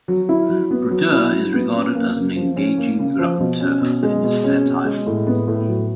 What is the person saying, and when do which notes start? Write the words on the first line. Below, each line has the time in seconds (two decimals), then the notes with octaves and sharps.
Brodeur is regarded as an engaging raconteur in his spare time.
0.08 F#3
0.29 E4
0.49 F#3
0.71 B3
0.91 F#3
1.12 E4
1.32 F#3
1.53 B3
1.73 C#4
1.95 A#3
2.15 C#3
2.36 F3
2.56 C#4
2.78 A#3
2.99 C#3
3.19 F3
3.40 B2
3.60 C#4
3.81 B2
4.03 G#3
4.24 B2
4.44 C#4
4.65 B2
4.85 G#3
5.07 A2
5.27 B3
5.48 A2
5.68 F#3